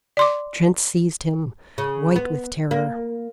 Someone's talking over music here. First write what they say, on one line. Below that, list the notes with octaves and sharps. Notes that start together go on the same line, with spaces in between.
Trent seized him, white with terror.
D5 C6 D6
C#3
B3
A#3